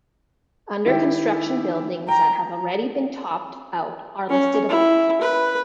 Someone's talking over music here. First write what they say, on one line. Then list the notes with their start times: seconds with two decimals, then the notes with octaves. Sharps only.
Under construction buildings that have already been topped out are listed above.
0.86 D#3 E4 G4
2.08 G5 A#5
4.29 C#4
4.69 E4
5.22 B4